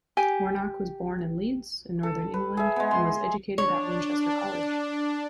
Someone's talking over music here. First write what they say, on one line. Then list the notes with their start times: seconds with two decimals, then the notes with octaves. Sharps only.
Warnock was born in Leeds, in northern England, and was educated at Winchester College.
0.17 G4 G#5
2.03 A4
2.34 B4
2.57 G#4 E5
2.76 G#3 B3
2.91 C6
3.58 D4 C#5